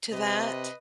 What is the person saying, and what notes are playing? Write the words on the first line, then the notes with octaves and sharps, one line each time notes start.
to that.
C3 B4 D#5